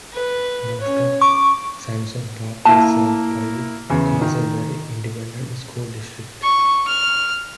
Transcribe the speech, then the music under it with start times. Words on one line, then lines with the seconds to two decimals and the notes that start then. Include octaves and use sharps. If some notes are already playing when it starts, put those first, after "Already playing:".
Most of Sansom Park is served by the Castleberry Independent School District.
0.13 B4
0.81 C#4 C#5
1.21 C#6 D6
2.65 A#3 E4 A5
3.90 E2 C#3
4.21 D#3
6.43 C#6
6.87 F6